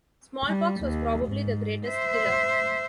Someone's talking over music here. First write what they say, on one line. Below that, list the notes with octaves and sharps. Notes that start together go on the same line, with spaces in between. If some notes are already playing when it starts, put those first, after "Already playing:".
Smallpox was probably the greatest killer.
G3
D#2
G#2
C5 E5